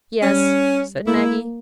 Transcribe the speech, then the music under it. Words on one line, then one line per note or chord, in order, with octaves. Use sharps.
"Yes," said Maggie.
G3 C#4
A#3 E4